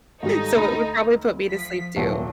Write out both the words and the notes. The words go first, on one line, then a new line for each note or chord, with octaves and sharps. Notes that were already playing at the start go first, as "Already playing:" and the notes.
So, it would probably put me to sleep too.
G#1 G3 D#4 A4
D2 B5
F3 B6
D#1 C2 F#3 E4